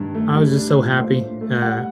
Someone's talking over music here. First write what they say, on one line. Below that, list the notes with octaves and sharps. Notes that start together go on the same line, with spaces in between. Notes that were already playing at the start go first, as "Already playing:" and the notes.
I was just so happy. Uh,
Already playing: G2 D#3
A3
G3
D4
A#2
A3 C5
A2
A3
G3 F#5